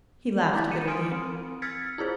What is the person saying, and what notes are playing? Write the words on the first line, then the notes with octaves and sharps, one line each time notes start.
He laughed bitterly.
G#3 E4 D6 G6 A6 B6
C#7 D#7 E7
G#5 C6 D#6 F6 C#7 D7
C4
E6 F6 G#6 A6 B6 C#7
E4 F4 G#4 C5